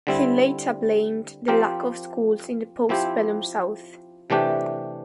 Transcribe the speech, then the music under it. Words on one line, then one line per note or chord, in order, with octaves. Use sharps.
He later blamed the lack of schools in the postbellum South.
D3 G3 C4 E4
F3 C4 G4 A#4
F3 C4 E4 G4
C3 E3 A3 D4 G4